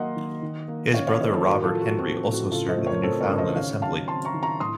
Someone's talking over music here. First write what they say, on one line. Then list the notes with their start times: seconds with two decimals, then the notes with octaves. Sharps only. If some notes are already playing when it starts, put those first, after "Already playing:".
His brother Robert Henry also served in the Newfoundland assembly.
Already playing: D#3 F#3 A#3 D#5 F#5 C6
0.16 D#3
0.43 D#3
0.68 A#3
0.94 C#4 C#5 F5
1.07 C#5 F5
1.20 D#3 C5 D#5
1.33 A4 C5
1.46 A2 F#4 A#4
1.64 F4 A4
1.73 F3
1.81 F#4
1.98 C4 F#4
2.17 F#4
2.25 A2
2.33 F#4
2.51 C#3 F4 A4
2.69 C5 D#5
2.77 A3
2.86 A#4 C#5
3.03 C4 A4 C5
3.21 A#4 C#5
3.29 C#3
3.38 C5 D#5
3.55 D#3 C#5 F5
3.82 F#3 F5 A5
4.08 C4 A5 C6
4.25 A#5 C#6
4.34 D#3
4.43 A#5 C#6
4.60 A2 C6 D#6